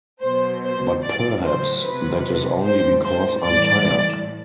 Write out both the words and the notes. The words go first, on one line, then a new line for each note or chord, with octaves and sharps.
But perhaps that is only because I’m tired.
B2 F#3 C5
C5
A2 F#3 D5
C5
C3 F#3 B4
A2 G3 C5
C5
A2 E3 G3 D5